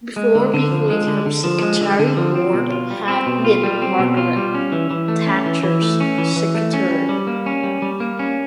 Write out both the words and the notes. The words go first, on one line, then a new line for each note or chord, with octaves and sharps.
Before being Wakeham's secretary, Ward had been Margaret Thatcher's secretary.
G#3
D3
D3
F3
G#3
D3
D3
F3
G#3
D3
D3
F3
C4
B2
F4
G3
C4
B2
F4
G3
C4
B2
F4
G3
C#4
E3
E3
A3
C#4
E3
E3
A3
C#4
E3
E3
A3
C#4
G3
G3
A#3
C#4
G3
G3
A#3
C#4